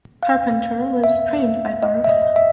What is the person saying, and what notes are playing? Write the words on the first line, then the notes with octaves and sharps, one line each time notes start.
Carpenter was trained by Barth.
F5
E5
D#5
E5
D#5
E5